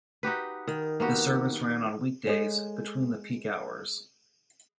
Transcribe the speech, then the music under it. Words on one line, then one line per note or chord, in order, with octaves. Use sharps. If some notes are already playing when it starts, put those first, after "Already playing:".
The service ran on weekdays between the peak hours.
D#4 F#4 G4 B4
D#3
A#3 B3 F#4 G4
G#3 A4 C#5